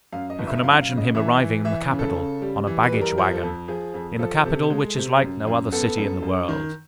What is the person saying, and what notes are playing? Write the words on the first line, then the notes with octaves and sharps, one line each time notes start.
You can imagine him arriving in the capital on a baggage waggon--in the capital which is like no other city in the world!
F#2 F5
D#5
G1
E5
F#2 F5
F5
C#3
D#5
E3 E5
E3
E3 E5
C#3
A4
C#3
G3
E3
B4
G3
A#4
F3 A#4
A4
F2
F3 G#4
F2
F3 A4
C3 A4
G#3
C3
F#2
F#2
B3 A4
F#2
F#2
D#3